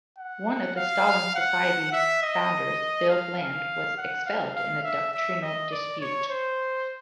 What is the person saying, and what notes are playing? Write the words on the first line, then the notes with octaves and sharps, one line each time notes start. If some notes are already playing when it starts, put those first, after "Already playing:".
One of the Stalin Society's founders, Bill Bland, was expelled in a doctrinal dispute.
F#5
F5
F#5
E5
D#5
F5
F5
F#5
F5
F5
E5
E5
D#5
D5
C#5
C5